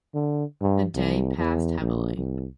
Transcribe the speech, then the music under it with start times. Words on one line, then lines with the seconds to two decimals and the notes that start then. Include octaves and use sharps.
The day passed heavily.
0.14 D3
0.61 G2
0.95 C2
1.37 E2
1.79 A#1
2.17 C2